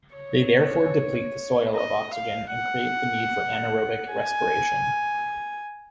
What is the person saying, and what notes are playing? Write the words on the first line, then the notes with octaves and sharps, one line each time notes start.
They therefore deplete the soil of oxygen and create the need for anaerobic respiration.
C#5
D#5
F5
F#5
G#5